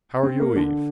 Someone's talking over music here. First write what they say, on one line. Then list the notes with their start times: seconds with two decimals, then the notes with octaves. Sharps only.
"How are you, Eve?"
0.23 C4
0.40 A#3
0.56 D3